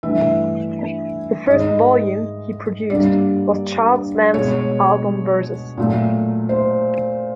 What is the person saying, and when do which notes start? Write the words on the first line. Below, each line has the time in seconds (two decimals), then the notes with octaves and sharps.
The first volume he produced was Charles Lamb's "Album Verses".
0.03 G2 E3 A3 E5
1.46 G#2 D#3 G#3 D#5
2.90 G2 D3 G3 A#3 D5
4.34 B2 G#3 C#5
5.77 A#2 F#3 A3
6.49 C5